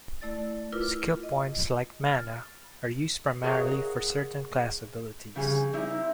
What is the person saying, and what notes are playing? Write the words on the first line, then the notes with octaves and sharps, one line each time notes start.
Skill points, like mana, are used primarily for certain class abilities.
A3 E4 D5 A6
A3
E4 F4 A#4 B4 D6
D#5
F6 A6
F#4 G#4 A#4 C#5 D#5 F5
F2 C#3 G3 G#4 G#5
G3 C4 D#4 E4